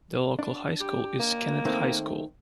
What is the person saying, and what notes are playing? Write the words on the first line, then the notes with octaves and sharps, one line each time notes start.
The local high school is Kennett High School.
D4
G4
A#3
D#3 A3 C4